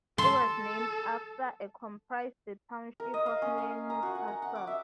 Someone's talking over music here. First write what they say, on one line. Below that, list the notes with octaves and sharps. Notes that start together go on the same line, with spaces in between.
It was named after and comprised the township of near Newcastle.
A4 C6
A#4
D#5
F5
C#4
F5
A#5
F#4
F#5
A#5
F#5
D6
E5